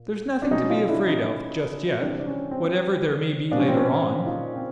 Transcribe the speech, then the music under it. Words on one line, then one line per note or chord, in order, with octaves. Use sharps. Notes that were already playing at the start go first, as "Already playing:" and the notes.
There's nothing to be afraid of, just yet, whatever there may be later on.
Already playing: A#2
D4
B2 F#3 C#4 D#4
D#4 F4
D4 E4
C#4 D#4
C3 E3 G3 C4 D4
D4
C#4
C4
A#2 F3 G#3 D4
C#4
C4
C#4
D#4 F4
C4